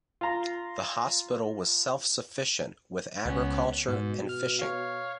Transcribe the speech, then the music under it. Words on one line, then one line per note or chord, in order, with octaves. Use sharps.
The hospital was self-sufficient with agriculture, and fishing.
F4 A#5
C#2 B3 C#4
G#2 B2
F6
C#5 F5